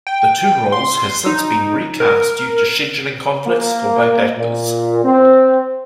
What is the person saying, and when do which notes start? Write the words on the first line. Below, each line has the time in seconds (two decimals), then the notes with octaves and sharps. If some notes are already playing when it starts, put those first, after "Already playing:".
The two roles have since been recast due to scheduling conflicts for both actors.
0.07 G5
0.72 C6
1.26 D#4
2.00 A#4
3.46 A#3
4.37 A#2
5.04 C4